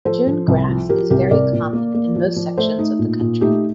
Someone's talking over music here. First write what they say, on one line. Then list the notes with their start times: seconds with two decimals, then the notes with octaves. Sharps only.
June grass is very common in most sections of the country.
0.05 F3 A4 C5
0.27 F3
0.48 C2
0.69 F3
0.89 F3 G4 A#4
1.10 C2 G4 A#4
1.31 C2 A#4 D5
1.53 A#2
1.73 A#3
1.94 A#3
2.16 F3
2.36 F3
2.57 A3 A4 C5
2.79 A3 D#4
2.99 A#2
3.21 A#2
3.41 A3 D#4 G4